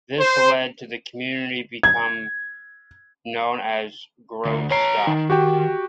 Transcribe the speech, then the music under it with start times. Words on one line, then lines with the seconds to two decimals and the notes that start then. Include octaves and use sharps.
This led to the community become known as Groce's Stop.
0.20 C5
1.83 G#6
4.45 D2
4.71 B4 C#5 A#5 C7
5.07 D#3 D#4
5.30 F#4 G4 G5